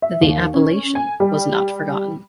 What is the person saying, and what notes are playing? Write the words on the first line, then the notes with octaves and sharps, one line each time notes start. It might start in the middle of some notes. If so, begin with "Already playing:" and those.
The appellation was not forgotten.
E5
D#2
C#4
G#5
G3